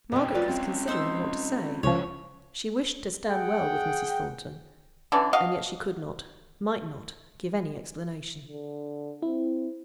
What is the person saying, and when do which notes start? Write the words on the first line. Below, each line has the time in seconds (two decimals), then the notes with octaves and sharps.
Margaret was considering what to say; she wished to stand well with Mrs. Thornton; and yet she could not, might not, give any explanation.
0.12 G#2 B2 F#3 B3 C4 G5
0.34 F4 B4 D5
0.48 C4 C#4 F4
0.88 D#4 C5 E6
1.83 C#2 E3 F3 C#4 A#4 C#5
3.29 G#4 F#5 G5
5.12 D3 E3 C#4 D5
5.33 F#4 D#5 F5
8.49 D3
9.22 C4 E4